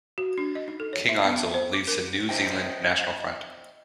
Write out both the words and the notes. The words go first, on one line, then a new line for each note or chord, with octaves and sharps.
King-Ansell leads the New Zealand National Front.
F#4
D4
D#5
D#4
A4
C#5
E5
B3
E5
C5
D6
A#4
C5 D#5 E5 G5